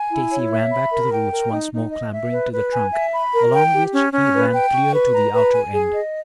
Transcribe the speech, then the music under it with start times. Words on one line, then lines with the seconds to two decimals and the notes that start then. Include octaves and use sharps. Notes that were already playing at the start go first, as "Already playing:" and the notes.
Stacy ran back to the roots, once more clambering to the trunk, along which he ran clear to the outer end.
Already playing: G#5
0.11 E4
0.31 C#5
0.51 E5
0.71 B5
0.91 A#4
1.11 G5
1.31 A#4
1.51 D#4
1.72 D#4
1.91 D#5
2.12 E5
2.31 B4
2.52 B4
2.72 G#5
2.91 E5
3.11 B5
3.32 A#4
3.53 G5
3.72 G4
3.92 C#4
4.12 C#4
4.32 B4
4.52 G5
4.73 C#6
4.92 B4
5.13 A#5
5.32 B4
5.53 G#5
5.73 G#4
5.93 D#5